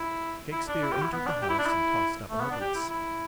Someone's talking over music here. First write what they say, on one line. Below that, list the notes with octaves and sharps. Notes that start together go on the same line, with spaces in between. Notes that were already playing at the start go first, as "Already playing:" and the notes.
Shakespeare entered the house and tossed up an obolus.
Already playing: E4
E4
D4
E4
G4
E4
B3
D4
G4
E4
D4
E4
A3
B3
D4
G4
E4
E4